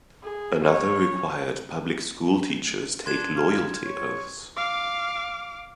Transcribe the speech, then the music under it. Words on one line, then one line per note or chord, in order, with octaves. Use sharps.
Another required public school teachers take loyalty oaths.
G#4
C#5
D4 C6 G#6 E7
F5
C#5
F5 D6